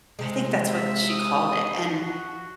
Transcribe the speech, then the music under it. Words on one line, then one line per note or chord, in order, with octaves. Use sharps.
I think that's what she called it, and
C3 G#3
E5
D#6
F#4